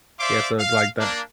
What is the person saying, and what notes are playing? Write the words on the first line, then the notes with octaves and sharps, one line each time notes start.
Yes, I would like that.
C5 D5 E5 F5 C6 D6
F5
A#3 D4